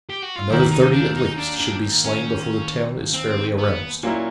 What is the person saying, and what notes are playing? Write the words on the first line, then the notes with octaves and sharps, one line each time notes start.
Another thirty at least should be slain before the town is fairly aroused.
G4
F#4
F4
D#2 D#3 F#3 E4
D#4
D4
D#4
D4
D4
C#4
C4
B3
A#2 F#3 A#3 C#4 E4